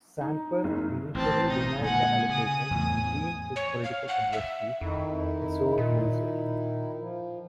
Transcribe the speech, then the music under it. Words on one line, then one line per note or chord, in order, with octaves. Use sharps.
Samper initially denied the allegations and deemed his political adversary a sore loser.
D#4
F#1
A1 A2 C4 A5
D#4 D#5
A#2 D3 G#3 F#5 G#5
C#3 G#5 D#6
E2 A2
C#5
F5
F#5
E5
F2 D#3 D#4 E4
A#2
F3